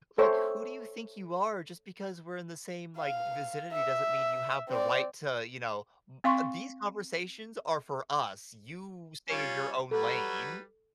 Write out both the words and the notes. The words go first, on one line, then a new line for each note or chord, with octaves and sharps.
Like, who do you think you are? Just because we're in the same, like, vicinity doesn't mean you have the right to, you know, m uh, these conversations are for us. You stay in your own lane.
A4 C5 C#5 E5
F5
E5
C4 D5
C4 F5 C6 C#6
G3 C#4 F4
F#3 G3 A4 B4